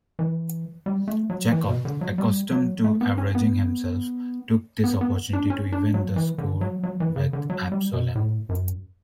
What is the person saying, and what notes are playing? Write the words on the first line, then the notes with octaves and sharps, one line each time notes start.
Joab, accustomed to avenging himself, took this opportunity to even the score with Absalom.
E3
G3
A3
F#3
E3
B2
D3
F#3
G3
F#3
A3
B3
C#4
B3
B3
B3
D4
C#4
D4
F#3
E3
D3
F#3
F#3
E3
C#3
D3
F#3
G3
B2
A2
F#2